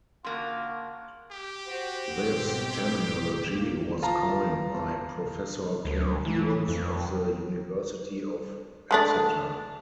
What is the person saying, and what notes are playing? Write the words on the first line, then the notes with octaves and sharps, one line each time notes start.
This terminology was coined by Professor Ken Evans of the University of Exeter.
C#3 A#3 D4 F4 F#4 C6
G4
F#4 C5
G#2 B2 C4
A#3
F4 A5 A#5
D2
E3
F2
G#3 A3 D4